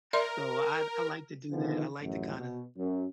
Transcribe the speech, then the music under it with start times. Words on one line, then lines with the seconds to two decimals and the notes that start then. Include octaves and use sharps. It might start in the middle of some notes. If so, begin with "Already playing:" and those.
So, I d I like to do that, I like to kind of
0.13 A#4 D5 E5 C6
1.50 D3 D#3 F3 G#3 B3
2.01 A1 F#2
2.37 B2
2.76 F#2